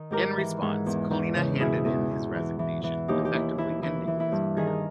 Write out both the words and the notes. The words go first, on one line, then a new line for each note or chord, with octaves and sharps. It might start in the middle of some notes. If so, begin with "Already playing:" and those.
In response, Collina handed in his resignation, effectively ending his career.
Already playing: D#3
G#2 G4 A#4
E3
G#2
E2
E2
C#3
B2 E4 G#4
E2
B2
E3
E3
E3
D#2 D#4 G4
G4
D#2 E4
E3 E4
E3 E4
E3
E4
G2
D#3 G#4
A#4